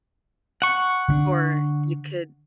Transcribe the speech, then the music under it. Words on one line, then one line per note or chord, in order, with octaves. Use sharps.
Or you could
F#5 C#6
D3 C#4 D4